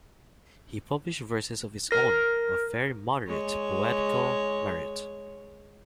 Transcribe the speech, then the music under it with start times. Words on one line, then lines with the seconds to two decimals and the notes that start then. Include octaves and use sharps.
He published verses of his own of very moderate poetical merit.
1.91 A#4 A#6
3.27 G#3 C#5